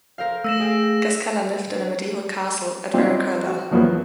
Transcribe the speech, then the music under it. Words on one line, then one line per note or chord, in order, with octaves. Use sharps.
Cascella lived in a medieval castle at Verrucola.
A#4 C5 F5
A3 E6 A#6 E7
G#4 F5 G5
F#3 G3 C4 D#4 F4 G4
F#4
E2 F3 F#3 A#3 B3